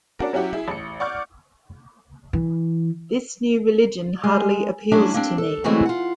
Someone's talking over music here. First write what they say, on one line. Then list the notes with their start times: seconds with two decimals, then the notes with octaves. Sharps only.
This new religion hardly appeals to me.
0.19 C#4 D4 F#4 A#4
0.33 F#3 C#4 E4 F#4 G4
0.53 E4 G#4
0.68 A1 C#7
1.00 D5 F#5 C#6 D6 F6 G6
2.33 E3
4.23 G#3
4.92 F#3 G3 A3 C#4 D4 E4
5.14 A#3 C4 D4
5.38 A4
5.64 D3 E3 F#3 G#3 A3 C4
5.86 F4 F#5